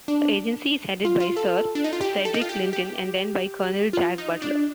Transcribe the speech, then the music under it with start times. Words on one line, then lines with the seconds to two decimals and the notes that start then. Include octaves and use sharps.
The agency is headed by Sir Frederick Clinton and then by Colonel Jack Butler.
0.08 D4
1.05 F4
1.20 F4
1.37 A4
1.75 D4
1.84 D#4
1.93 F4
2.01 G4
2.25 A4
2.34 D#4
2.42 F4
2.49 G4
2.73 G4
3.93 F4
4.18 D#4
4.42 D4